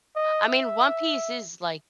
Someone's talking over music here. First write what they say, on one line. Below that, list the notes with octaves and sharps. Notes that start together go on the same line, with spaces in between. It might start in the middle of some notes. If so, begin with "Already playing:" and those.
I mean, One Piece is, like
D#5
E5